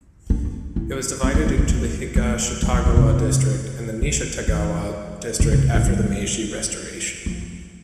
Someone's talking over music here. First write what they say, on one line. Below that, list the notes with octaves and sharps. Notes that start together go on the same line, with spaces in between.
It was divided into Higashitagawa District and Nishitagawa District after the Meiji restoration.
D4
E4
C4
E4
E4
D4
A#3
A3
G3
F3
E3
C3
D3
E3
D3
C3
A2
G3
F3